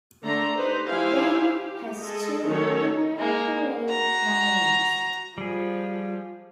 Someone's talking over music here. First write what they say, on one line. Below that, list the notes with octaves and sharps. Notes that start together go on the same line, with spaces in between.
Dang has two "Inner Terai Valleys".
D3 A3 D4 A4 A#5 C6
D#4 G4 B4 C5
F3 E4 G4 C5 F5 G#5
G4
G#3 A4 D#5
D#3 F#3 A3 C#4 A4 C#5
G#3 A#3
F#4 A#5
F3 G3 G#4